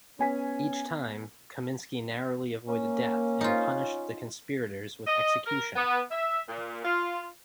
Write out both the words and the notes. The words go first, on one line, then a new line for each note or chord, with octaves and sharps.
Each time, Kaminski narrowly avoided death and punished the conspirators with execution.
B3 C#4 G#5 B6
A#3 C#4
D#4 F4
D#5
A#4
B3
E5
A#2
F4